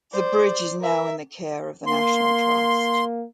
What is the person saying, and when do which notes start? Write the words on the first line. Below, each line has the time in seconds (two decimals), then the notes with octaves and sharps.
The bridge is now in the care of the National Trust.
0.12 C5 D5
0.81 A#4 E5
1.87 A#3 C6